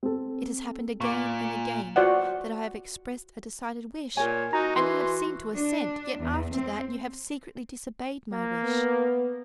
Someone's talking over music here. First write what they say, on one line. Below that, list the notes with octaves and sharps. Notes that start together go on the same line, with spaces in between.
It has happened again and again that I have expressed a decided wish, and you have seemed to assent, yet after that you have secretly disobeyed my wish.
C4 A4
A#2 C#6 D6
F4 F#4 C5 D5 F#5
A#2 A#4 C#5 G#5
D#4 F#4 A#5
E3 C6
D4
E2
C4
A#3
B3